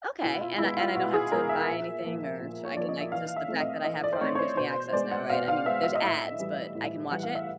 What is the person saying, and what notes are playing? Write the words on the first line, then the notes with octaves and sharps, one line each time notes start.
Okay, and I and I don't have to buy anything or sh I can like, just the fact that I have Prime gives me access now, right? I mean, there's ads, but I can watch it?
B2 E4
F4
G#3 B3 E4
F4
B2 F#4
G#4
G#3 B3 A#4
E5
A#2
F3 A#3
A#2
C#5
F3 A#3 D5
D#5
E5
E3 F5
E5
A3 C4
D#5
E3 D#5
D5
C5
A3 C4 C#5
C#5
C5
B2 C5
G#3 B3 D5
F#5
B2 F5
F5
G#3 B3 E5
E5
D#5
A2 E5
E3 G3
A2
E3 G3 F#5
F5
E5